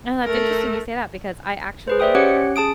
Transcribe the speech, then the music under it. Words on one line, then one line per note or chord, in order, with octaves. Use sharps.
And that's interesting you say that because I actually
A3 A#4
G#4 B4 C5
C5 D5 E5 G5 D#6
C#4 G4 C#5 F#5 F#6 C#7
C#4
G#4 A5 D#6 D7